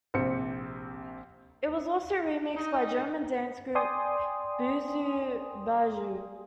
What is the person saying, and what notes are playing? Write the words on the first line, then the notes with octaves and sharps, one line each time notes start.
It was also remixed by German dance group Boozoo Bajou.
A#1 C3 C4 C#7
D#4
D5 G5 G#5 C6 D#6